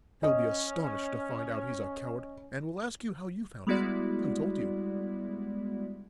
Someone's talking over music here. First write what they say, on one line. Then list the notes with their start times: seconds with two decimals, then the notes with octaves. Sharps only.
He'll be astonished to find out he's a coward and will ask you how you found out, who told you.
0.23 C#4 D#5
3.67 G3 G#3 B3 E4 F#4 D5